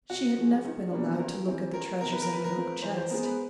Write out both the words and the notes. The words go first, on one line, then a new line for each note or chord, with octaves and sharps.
She had never been allowed to look at the treasures in the oak chest.
C3 F#4
F3 G#3
C#2
B2 G3 A#3 D4
C#2 A#4
C#3 E3 G3 C4
C#2 A#4
C3 D#3 G3 B3 A#4
B4
A#4
E3 B4
A#4
A3 C4 F4
E3 C5
C5
G#3 B3 A#4
B4